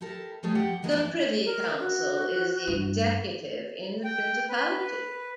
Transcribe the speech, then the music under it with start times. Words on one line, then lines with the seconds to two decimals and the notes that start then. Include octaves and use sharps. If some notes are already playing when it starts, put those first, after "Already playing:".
The Privy Council is the executive in the principality.
0.01 E4 G4 A4 A#4
0.43 F3 G3 A3 G#4 C#5
0.55 F3 G4 F#5 G5
0.82 E3 F3 G#3 A#3 B3 D4
0.96 E3 E4 D5
1.45 A#4
1.80 F#4
2.68 G2
4.04 G5
4.49 B4